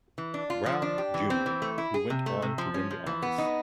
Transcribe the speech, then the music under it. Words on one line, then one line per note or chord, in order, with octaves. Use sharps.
Brown, Junior who went on to win the office.
E3
D4
F4
F3
D4
G4
E3
C4
E3
A3
E4
G#4
C3
A3
C3
F3
C#4
F3
E3
B3
D#4